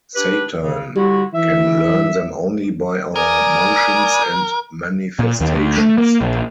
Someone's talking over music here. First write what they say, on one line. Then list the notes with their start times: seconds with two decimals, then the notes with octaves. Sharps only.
Satan can learn them only by our motions and manifestations.
0.15 D4 G4 B4
0.60 C#3
0.95 D3 G3 E4 F#4
1.34 E3 E5
3.16 A#4 D5 G#5 D#6
5.19 A#2
5.40 D#2
5.55 D2
5.78 A3
5.98 A#3
6.21 A#1